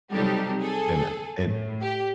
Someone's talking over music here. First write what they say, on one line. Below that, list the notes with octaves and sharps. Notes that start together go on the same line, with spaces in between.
And and
C3 F#3 G3 D#4 G4 A4
G#4 A4
A2
G4